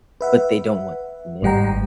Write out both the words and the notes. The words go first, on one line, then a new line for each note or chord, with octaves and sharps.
but they don't want to commit.
B4 E5 F#5
G#1 G#2 G3 F#5 G5 A#5